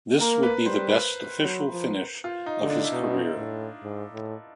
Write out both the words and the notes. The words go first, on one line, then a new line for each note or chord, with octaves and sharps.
This would be the best official finish of his career.
A#3 A#4
B4
G3 C5
B4
F#3
F3
F4
D#4
D3
D4
E4
B2 D#4
A2
G#2
A2